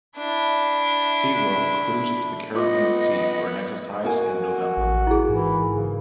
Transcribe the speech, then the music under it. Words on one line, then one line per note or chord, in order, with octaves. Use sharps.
"Seawolf" cruised to the Caribbean Sea for an exercise in November.
D4 E4
B3 F4 D#5 C6 D6
A#3 F#4 G#5
A1
E4 G#4
G#2 E3
C#3